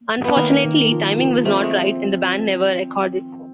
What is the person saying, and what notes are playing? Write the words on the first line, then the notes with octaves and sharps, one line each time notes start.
Unfortunately, timing was not right and the band never recorded.
B3
D#3 A#3
D#3
F3
F3
A3 C4
G#3